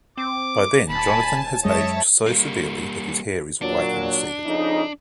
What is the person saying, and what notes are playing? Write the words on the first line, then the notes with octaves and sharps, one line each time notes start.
By then, Jonathan has aged so severely that his hair is white and receded.
C4 D6
D#1 G#5 A5 B5
F#2 G#3 C#5 D#5 E5 A5
G3 A#3
A#2 F#3 D4
F2 C#3 D#4